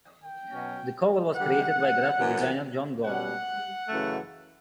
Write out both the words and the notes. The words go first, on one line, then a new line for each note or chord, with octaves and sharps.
The cover was created by graphic designer John Gall.
G5
B2 F#3 C#4
G2 D3 G3 F#5
F#2 E3 B3
B2 G3 C#4 F#5
F#2 C#3 E3 A3